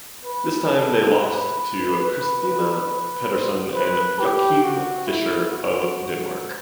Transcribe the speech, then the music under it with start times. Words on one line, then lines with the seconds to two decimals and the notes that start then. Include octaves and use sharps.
This time they lost to Christinna Pedersen and Joachim Fischer of Denmark.
0.25 B4
0.68 A4
1.12 B4
2.00 B4
2.43 B4
2.88 B4
3.32 C5
3.75 B4
4.19 G4
4.64 F#4
5.08 E4
5.51 F#4